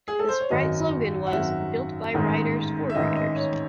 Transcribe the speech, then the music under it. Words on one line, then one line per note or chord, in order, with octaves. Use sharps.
The Sprite slogan was "Built by riders-for riders".
G#4
A4
C5
C#5
G#1 F#2 D#3 F#3 D#5
F#5
G#1 F#2 D#3 F#3 E5
A1 G#2 D#3
E5
A1 G#2 D#3 D#5
D#5
C#5